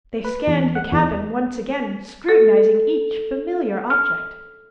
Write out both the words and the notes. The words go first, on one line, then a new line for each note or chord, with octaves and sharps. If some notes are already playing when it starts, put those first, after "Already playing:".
They scanned the cabin once again, scrutinizing each familiar object.
B4
E2
F#5
E2
A4
F6